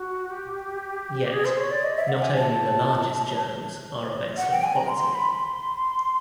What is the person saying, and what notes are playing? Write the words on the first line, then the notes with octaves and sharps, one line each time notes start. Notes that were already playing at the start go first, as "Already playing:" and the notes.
Yet, not only the largest journals are of excellent quality.
Already playing: F#4
G4
G#4
C5
C#5
D5
D#5
E5
F#5
G#5
A5
F#5
G5
G#5
A#5
C6
B5
C6